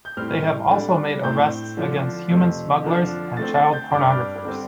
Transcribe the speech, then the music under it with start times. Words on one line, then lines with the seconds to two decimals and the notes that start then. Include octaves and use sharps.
They have also made arrests against human smugglers and child pornographers.
0.05 G6
0.17 A2 G3 C4 F6
0.70 D3 G3 D4
1.23 A2 A3 C4 G6
1.77 D3 F3 D4
2.30 F2 C3 A3
2.84 D3 F3 D4
3.37 D3 A3 C4 A6
3.55 A6
3.73 G6
3.91 G2 G3 D4 D6
4.00 F6
4.10 D6
4.45 D3 G3 C4